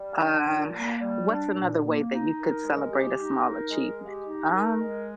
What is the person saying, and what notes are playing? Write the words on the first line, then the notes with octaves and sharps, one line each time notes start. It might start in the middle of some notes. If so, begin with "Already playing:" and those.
Um, what's another way that you could celebrate a small achievement? Um
Already playing: G3
D4
A#2
A#3
G3
D4
A#2
A#3
D#4
A#4
G#3
G4
D#4
A#4
G#3
G4
D#4
A#4
G#3